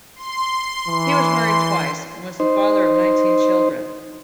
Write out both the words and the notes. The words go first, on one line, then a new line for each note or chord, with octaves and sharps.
He was married twice and was the father of nineteen children.
C6
E3
D#4 C5